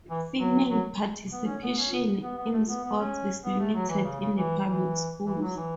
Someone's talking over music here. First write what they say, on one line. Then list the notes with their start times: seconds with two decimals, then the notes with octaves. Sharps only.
Female participation in sports is limited in the public schools.
0.10 E3
0.40 F#3
0.70 F#3
1.32 B3
1.46 C#4
1.62 B3
1.78 C#4
1.93 B3
2.23 B3
2.38 B3
2.53 A3
2.69 B3
2.84 B3
2.98 C#4
3.44 B3
3.59 A3
3.74 F#3
3.89 E3
4.04 C#3
4.20 C#3
4.36 E3
4.66 E3
5.26 E3
5.42 F#3
5.56 E3